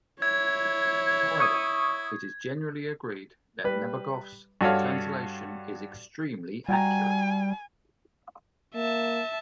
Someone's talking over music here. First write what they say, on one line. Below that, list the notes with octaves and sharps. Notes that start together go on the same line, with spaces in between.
However, it is generally agreed that Nabokov's translation is extremely accurate.
E4 C#5 G#6
C#6 D#6
G3 B4
G2 F#4 A4 C#5 F5
G3 F#4 G5 G#5 A#5
A#3 E5 A5